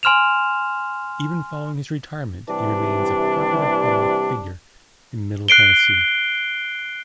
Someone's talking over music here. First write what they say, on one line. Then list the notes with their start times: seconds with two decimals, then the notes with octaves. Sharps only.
Even following his retirement, he remains a popular public figure in Middle Tennessee.
0.03 G#5 C6 F6 E7 F7
2.48 C3 E3 G3 D4
5.48 F#6 C7 D7 G7